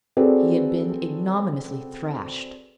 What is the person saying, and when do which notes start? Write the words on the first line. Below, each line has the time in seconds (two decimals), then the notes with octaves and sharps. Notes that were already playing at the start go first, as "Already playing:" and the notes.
He had been ignominiously thrashed!
0.17 C4 F#4 G#4 A4 B4 D5